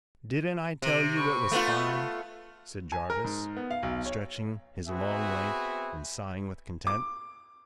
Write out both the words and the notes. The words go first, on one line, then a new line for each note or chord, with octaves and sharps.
"Didn't I tell you it was fine?" said Jarvis, stretching his long length and sighing with content.
C3
B5 C#6
A3 B3 F4
G#5
A#4
G#2
B3
F5
B1
C#5
B3 C4 F#4 G#4 E5
D6